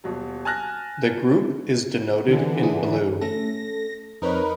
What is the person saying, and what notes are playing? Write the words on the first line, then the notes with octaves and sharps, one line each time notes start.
The group is denoted in blue.
D#1 B2 F#3
G#5 A5 F6 F#6 A#6
D3 E3
E4 G#4
A3 C#4 A4 A#6
F2 C4 D#4 A#4 B4 C#5